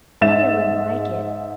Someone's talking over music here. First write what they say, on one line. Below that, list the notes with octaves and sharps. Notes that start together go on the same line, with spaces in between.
"Mother wouldn't like it."
G#2 G#3 E5 A6 E7